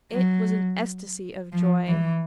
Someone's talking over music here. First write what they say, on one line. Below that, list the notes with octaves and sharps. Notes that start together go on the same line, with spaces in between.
It was an ecstasy of joy!
F#3
F3
E3